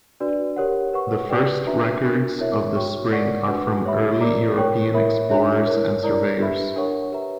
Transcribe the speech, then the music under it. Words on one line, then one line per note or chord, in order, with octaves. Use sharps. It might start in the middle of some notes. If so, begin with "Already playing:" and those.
The first records of the spring are from early European explorers and surveyors.
D4 F#4 B4 D5
G4 A#4 C#5 F#5
B4 F#5 C#6
G4 B4 D5 G5
D4 F#4 B4 E5 A#5
D4 F#4 A#4
E4 A#4 C#5 E5
F#4 C#5 G5 C#6
A#4 D5 F#5 C#6
D4 F#4 B4 F#5
G4 C#5 E5 B5
A#4 D5 A#5 D6
A#4 C#5 G5 C#6
E4 A#4 C#5 E5 B5
D4 F#4 C#5 E5
E4 A#4 C#5
E4 A#4 D5 A#5
D4 G4 B4 E5 B5
D4 A#4 C#5 F#5 C#6
G4 B4 E5 A#5